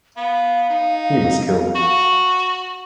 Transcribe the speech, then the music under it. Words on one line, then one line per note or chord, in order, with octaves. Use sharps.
He was killed.
B3 F5
D#4
F#4